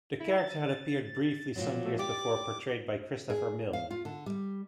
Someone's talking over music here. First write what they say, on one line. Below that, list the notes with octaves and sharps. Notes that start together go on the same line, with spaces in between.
The character had appeared briefly some years before portrayed by Christopher Milne.
E4
A6
A#2 F3 F#3
A3
G4 D5 D6
G#4
F5
F4
D3
G3